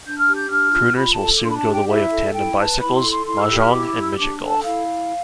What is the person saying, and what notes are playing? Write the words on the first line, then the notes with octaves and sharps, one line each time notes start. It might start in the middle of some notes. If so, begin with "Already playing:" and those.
Crooners will soon go the way of tandem bicycles, mah jongg and midget golf.
D4 G6
F6
G4
G6
D4 F6
F4
F4 B5
A5
A4
D6
D4 C6
B5
A5
G4
G5
E4 E5
A4
E4 G5
B4 A5
E4 B5
C6
A4
C6
E4 C6
F6
E6
G4
F6
E4 D6
D6
G4
E6
E6
D4 D6
A4
A5
E4 F5